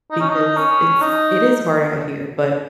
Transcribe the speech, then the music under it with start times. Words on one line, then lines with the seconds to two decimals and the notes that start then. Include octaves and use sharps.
because it's it is hard out here, but
0.11 D#4
0.20 C#4
0.29 D#4
0.57 C#4
1.01 D#4